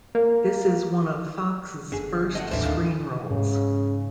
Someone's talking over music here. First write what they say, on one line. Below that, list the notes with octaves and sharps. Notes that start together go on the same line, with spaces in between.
This is one of Fox's first screen roles.
A#3
G1 D3 G#4
A3 C4 D#5 F#5
A1 D#2 D3 E3 C5 E5
D#3 D4 F4 F5
G#2 C#3